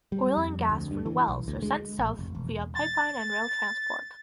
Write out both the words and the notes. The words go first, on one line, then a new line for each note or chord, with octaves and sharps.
Oil and gas from the wells are sent South via pipeline and rail transport.
G3
F2
D2
G2
E3
B1
D2
G#3
A1
F1
E1
A6